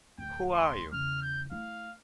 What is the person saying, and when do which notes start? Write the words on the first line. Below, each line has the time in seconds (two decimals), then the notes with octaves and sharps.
Who Are You?
0.18 D1 D2 G5
0.54 C6
0.93 E2 C#3 F6
1.22 G6
1.52 A3 E4 F5